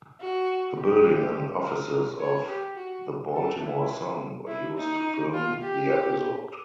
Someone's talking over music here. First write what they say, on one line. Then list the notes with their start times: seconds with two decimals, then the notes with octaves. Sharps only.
The building and offices of "The Baltimore Sun" were used to film the episode.
0.21 F#4
0.78 G4
1.63 A#4
2.20 C#5
2.48 G4
2.77 F#4
3.34 A4
3.62 E4
4.47 E4
4.76 D#4
5.33 F4
5.62 G4